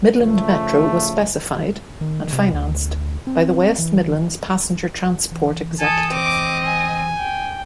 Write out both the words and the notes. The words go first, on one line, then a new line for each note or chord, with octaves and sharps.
Midland Metro was specified and financed by the West Midlands Passenger Transport Executive.
C#3 F3 A3
D#3
C3
D2
C4
E3
E3
A4 G#5 A5 D#6
C4 D#5 D6
G#5
G5